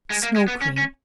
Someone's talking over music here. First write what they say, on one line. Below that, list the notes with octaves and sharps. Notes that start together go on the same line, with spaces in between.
Snow Cream.
G#3
A#3
G#3
B3
C#4
C#4